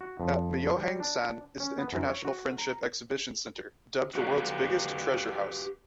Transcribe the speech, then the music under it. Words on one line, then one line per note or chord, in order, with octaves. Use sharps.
At Myohyang-san is the International Friendship Exhibition centre, dubbed the world's biggest treasure-house.
F#4
F2
G3
D4
C#4
B3
F#2
C#5
F#4
A#5
F#4 G4 B4 F5 F#5